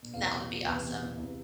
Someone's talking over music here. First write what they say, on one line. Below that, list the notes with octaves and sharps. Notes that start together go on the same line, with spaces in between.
That would be awesome.
E2 C3 E3 B3 F5
E2 C3 E3 B3 E5
E2 C3 E3 B3